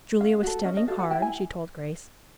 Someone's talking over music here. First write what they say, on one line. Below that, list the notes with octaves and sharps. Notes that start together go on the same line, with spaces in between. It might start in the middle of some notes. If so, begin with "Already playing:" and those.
Julia was studying hard, she told Grace.
C#4 F5
F#4 A4
C#4 D#5
D#5
F#4 A4 F5
F#5
E4 G5
G#5